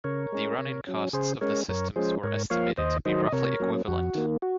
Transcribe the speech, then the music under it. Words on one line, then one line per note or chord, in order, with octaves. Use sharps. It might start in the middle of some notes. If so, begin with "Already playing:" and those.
The running costs of the systems were estimated to be roughly equivalent.
C#3 A#4 C#5
G#3 C#4
C3
F#3 C#4
C#3 G#4 C5
G#3 C#4 A#4 C#5
F#2 A#4 C#5
F3 G#3 C#4 G#4 C5
G#2 A#4 C#5
F3 A#3 C#5 F5
D#2 C5 D#5
D#3 F#3 C5 D#5
D#5
C3 A#4 C#5
F#3 A#3 C#4
F2 F#4
D#3 A#3
F#4